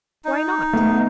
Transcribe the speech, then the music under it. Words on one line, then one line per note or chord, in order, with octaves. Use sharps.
Why not?
D#4
A3 B3